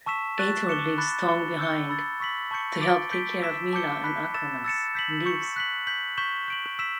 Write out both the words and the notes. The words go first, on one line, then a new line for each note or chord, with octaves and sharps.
Ator leaves Thong behind to help take care of Mila and Akronas, and leaves.
A5 C#6 E6 B6 E7
C#6 F#6 A6 E7
D6 F#6 C#7 E7 G7
B5 D6 F#6 A6
F#6 C#7 G7
E6 G6 C#7 G7
B5 E6 A6
C#6 E6 B6 F#7
A5 C#6 G6 C#7
D6 A6 D7 G7
G6 B6 D7 G7
E6 B6 E7
A5 D6 G6 C#7 G7
B5 F#6 B6
E6 A6 E7
E6 A6 C#7 E7
G6 B6 F#7
C#6 G6 C#7
F#6 B6 F#7
G6 B6 F#7
C#6 G6 B6 E7 G7
G6 D7 F#7
E6 B6 E7